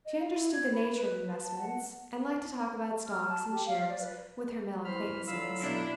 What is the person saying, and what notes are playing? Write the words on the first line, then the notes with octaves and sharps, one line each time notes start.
She understood the nature of investments, and liked to talk about stocks and shares with her male acquaintances.
D#5
F5
E4
G#6
B5
B4
A5
F#5
F6
A5
G4
F5
D5
B4
E3 C5 B5 F6
D3 F#3 F4 F5 B5 E6
B2 D4 E4